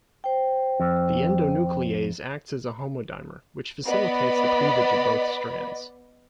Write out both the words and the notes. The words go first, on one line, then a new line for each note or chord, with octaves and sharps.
The endonuclease acts as a homodimer, which facilitates the cleavage of both strands.
C5 G5
F2
B3 B4 D5 D#5 B5